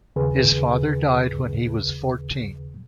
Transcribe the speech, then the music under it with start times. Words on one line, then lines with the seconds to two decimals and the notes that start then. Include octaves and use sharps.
His father died when he was fourteen.
0.16 D#2 C#3 G#4 B4